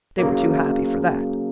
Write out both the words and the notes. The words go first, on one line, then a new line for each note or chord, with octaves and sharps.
They were too happy for that.
C#3 F#3 A#3